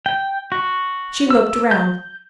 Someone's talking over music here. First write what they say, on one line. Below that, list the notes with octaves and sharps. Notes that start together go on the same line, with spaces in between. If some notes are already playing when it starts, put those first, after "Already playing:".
She looked around.
G5
F#4
E6
G6